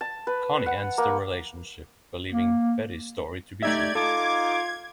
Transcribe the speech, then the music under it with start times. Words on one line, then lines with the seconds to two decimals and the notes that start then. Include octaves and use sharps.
Connie ends the relationship, believing Betty's story to be true.
0.01 A5
0.27 B4
0.66 F#5
0.98 A#3
2.32 A#3
3.62 A3 D#4 G4 D5 E5 G#6
3.95 D#4 F4 A4 D6